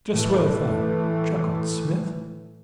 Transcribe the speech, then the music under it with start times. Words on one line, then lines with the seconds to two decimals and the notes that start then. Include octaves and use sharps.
"Just what I thought!" chuckled Smith.
0.12 A2 E3 A3